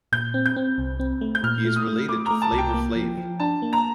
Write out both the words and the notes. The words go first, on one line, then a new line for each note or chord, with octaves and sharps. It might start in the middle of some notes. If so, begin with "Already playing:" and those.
He is related to Flavor Flav.
A#2 G6
C4
G6
C4
C2
C4
A3
G6
A#2 F6
A3
D#6
A3
A3 D6
A3 A#5
A5
C2
G5
A#3
F3
F3
D4 A5
A#3
A#5